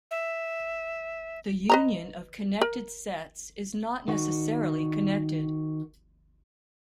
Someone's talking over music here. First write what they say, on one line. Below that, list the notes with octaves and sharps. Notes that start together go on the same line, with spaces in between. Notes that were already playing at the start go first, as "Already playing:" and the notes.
The union of connected sets is not necessarily connected.
E5
B4 D#5 A#5
A#4
D#3 F#4